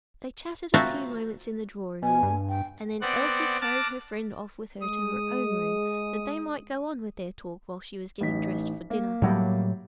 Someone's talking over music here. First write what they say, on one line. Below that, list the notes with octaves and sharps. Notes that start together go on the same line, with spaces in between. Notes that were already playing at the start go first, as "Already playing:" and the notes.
They chatted a few moments in the drawing-room, and then Elsie carried her friend off with her to her own room, that they might go on with their talk while she was getting dressed for dinner.
C4 F4 F#4 E5 A5 A#5
B2 G#5
G2
G5
B3 C4 D5 F#5
A5 D6 F6 F#6 A6 A#6
G#3 D#6
A1 D#4 B6
A#3
A2 F#3 G3